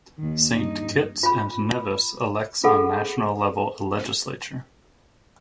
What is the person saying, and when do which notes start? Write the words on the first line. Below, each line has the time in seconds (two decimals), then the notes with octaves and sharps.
Saint Kitts and Nevis elects on national level a legislature.
0.18 D#2 D#3
0.54 G2 D#4
1.23 F4 B5
2.64 F4 G#4 A4 F#5